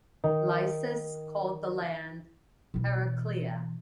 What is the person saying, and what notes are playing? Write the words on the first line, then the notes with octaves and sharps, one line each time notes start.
Lycus called the land Heraclea.
D#3 D#4
B2 E3